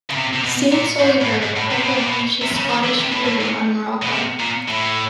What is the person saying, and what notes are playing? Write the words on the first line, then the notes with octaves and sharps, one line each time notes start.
Seeing Solie hurt, Piper unleashed his Scottish fury on Muraco.
C#3
C3
C3
B2
A#2
G#2
A2
G#2
G#2
A2
C3
B2
A#2
B2
C3
C#3
D#3
D3
C3
A2
A2
A#2
B2
C3
A#2
A2